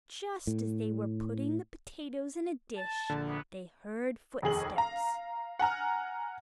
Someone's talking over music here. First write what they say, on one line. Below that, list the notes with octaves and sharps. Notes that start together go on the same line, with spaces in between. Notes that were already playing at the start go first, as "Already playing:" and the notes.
Just as they were putting the potatoes in a dish they heard footsteps.
A2
A5
A#1 D3
C3 F#3 B3
F1 D#2 G#4 F#7
F5 A#5
F#5 G#5 A#5 F6